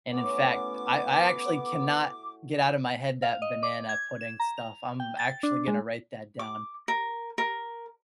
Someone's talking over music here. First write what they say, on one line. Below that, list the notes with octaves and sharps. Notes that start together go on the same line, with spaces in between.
and, in fact, I I actually cannot get out of my head that banana pudding stuff, I'm actually gonna write that down.
A2 B3 C#4 F#4 D6
F5
D#5
D6
G#6
E7
A#5
F7
G5
A6
D4
G#3
D6
A#4
A#4